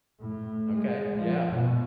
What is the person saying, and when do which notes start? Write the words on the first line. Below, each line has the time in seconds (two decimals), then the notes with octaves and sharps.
Okay. Yeah,
0.22 A2
0.74 G#3
1.19 F3
1.53 B2